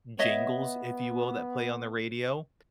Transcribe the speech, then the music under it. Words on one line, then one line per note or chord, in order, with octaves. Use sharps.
jingles, if you will, that play on the radio,
B3 C#5 D#5 E5